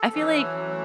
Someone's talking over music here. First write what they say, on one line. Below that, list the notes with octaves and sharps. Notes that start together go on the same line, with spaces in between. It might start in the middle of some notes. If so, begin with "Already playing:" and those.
I feel like
Already playing: A4
E3 C#4
F#3
A3